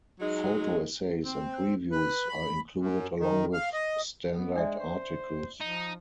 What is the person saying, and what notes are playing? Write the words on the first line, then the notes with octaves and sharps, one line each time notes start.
Photo essays and reviews are included along with standard articles.
F#3 G#3 D#4
C4
B4
B5
F#2
D#3
F5
D#5
B3
G#3 D4 D5 E5
C5
F3 D#4